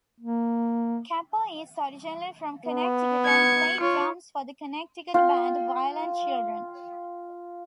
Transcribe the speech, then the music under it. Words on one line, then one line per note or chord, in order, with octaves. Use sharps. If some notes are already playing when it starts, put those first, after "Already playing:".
Cappo is originally from Connecticut, and played drums for the Connecticut band Violent Children.
A#3
B3
G#6 C#7
F4 C#5
F4 G5